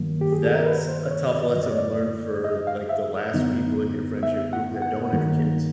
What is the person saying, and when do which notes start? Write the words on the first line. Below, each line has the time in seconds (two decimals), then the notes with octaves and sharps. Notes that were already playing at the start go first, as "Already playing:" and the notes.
that's a tough lesson learned for, like, the last people in your friendship group that don't have kids,
Already playing: G2 D#3 F#3 A#3
0.21 G4
0.32 G#4
0.44 A4
0.55 A#4
0.66 B4
0.88 C5
1.11 C#5
1.33 D5
1.55 F#2 D3 F#3 D#5
1.63 D5
1.71 C#5
1.78 D5
2.45 D#5
2.67 F5
2.89 E5
3.34 F#2 D3 F#3 B3 D#4
4.23 E5
4.53 F#5
4.82 F#5
5.12 G2 D#3 F#3 A#3 D#4